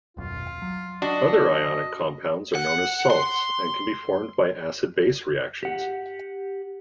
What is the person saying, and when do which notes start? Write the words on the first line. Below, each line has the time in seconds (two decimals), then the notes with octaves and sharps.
Other ionic compounds are known as salts and can be formed by acid-base reactions.
0.17 D#1 B1 F#2 F4
0.62 F#3
1.02 D4 F#4 D#5
2.55 F#5
3.10 C6
5.63 G4 F#5